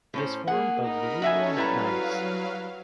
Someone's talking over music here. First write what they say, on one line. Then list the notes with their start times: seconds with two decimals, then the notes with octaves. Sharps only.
It is formed of Lewisian gneiss.
0.14 A2 C#4 C5
0.47 A#3 G#4 F#5
0.84 D#4 A#4 B5
1.22 C#4 F#4 A4 C#5 E5 G#5
1.56 F#3 G3 E4 B4 F5 A#5